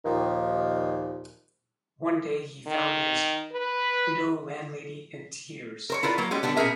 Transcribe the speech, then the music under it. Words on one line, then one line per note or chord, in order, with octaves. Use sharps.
One day he found his widow-landlady in tears.
D#2 A#2 D#3 F3
D#3
B4
A#4 C5 C#5
E4 F4 A#4 B4 D5
F#3 A#3
G3 G#3 C#4 F#4 G4
D3 G3 B3 D4
B2 C#4 G#4 A#4 E5